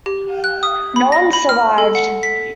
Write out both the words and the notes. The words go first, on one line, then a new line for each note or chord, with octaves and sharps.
No one survived.
G4
F#6
D#6
B5
A#6
B5
F6
A4
F#5
B6